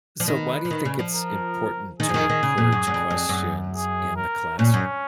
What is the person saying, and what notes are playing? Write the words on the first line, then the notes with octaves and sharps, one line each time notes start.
So why do you think it's important to encourage questions in the classroom?
F3
D#3 B4
F3
D#3
C#3
F3
A#4
D#3 G#4
F3
D#3
D#3
C#3
A#2
F#2
F#2
F2
F2
F#2
G#4
A#4
A#2 C#4
F#2